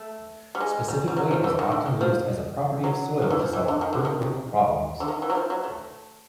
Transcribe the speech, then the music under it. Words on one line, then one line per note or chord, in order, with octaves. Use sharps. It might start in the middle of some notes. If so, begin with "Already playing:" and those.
Specific weight is often used as a property of soil to solve earthwork problems.
Already playing: A3
G3
G#3
G3
G3
F#3
F3
E3
D#3
D3
D#3
F3
F#3
D#3
E3
F3
E3
D3
D#3
D3
D#3
D3
D#3
E3
F#3
F3
F#3
A3